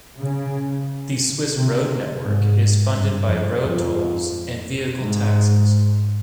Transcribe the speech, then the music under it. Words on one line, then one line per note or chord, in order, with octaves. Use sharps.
The Swiss road network is funded by road tolls and vehicle taxes.
C#3
C3
G#2
G2
F2
F2
G#2